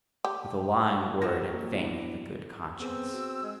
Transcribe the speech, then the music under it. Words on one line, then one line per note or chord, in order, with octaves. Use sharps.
With a lying word it feigneth a good conscience.
G4
F#3 F4 G4 F6 A#6
A#1
B3 D4 E4
B3 C4 G#4 B4 E6
F#4
G#3